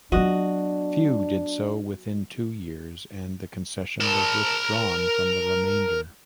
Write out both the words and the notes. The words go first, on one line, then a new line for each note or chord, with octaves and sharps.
Few did so within two years and the concession was withdrawn from the remainder.
F#3 B3 D4 F#4 D#5
A#4 A5